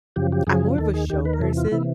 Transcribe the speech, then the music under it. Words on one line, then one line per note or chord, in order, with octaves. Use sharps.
I'm more of a show person
F#2 C#3 F3 G4
G4
F#2 C#3 F3 G#4
D#2 D#3 A4
G#4
D#2 D#3 G4
B4
A#4
E2 C3 E3 A4
F4
C3 E3 E4